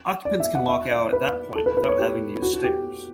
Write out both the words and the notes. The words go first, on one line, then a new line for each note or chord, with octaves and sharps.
Occupants can walk out at that point without having to use stairs.
D5
E5
F#5
E5
D5
B4
A4
B4
B4
C#5
G4
F#4
F#4
G4